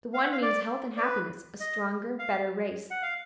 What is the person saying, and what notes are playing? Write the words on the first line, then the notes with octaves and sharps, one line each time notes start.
The one means health and happiness--a stronger, better race.
F5
F#5
F5
D5
D5
B4
D#5
F5
F#5
F5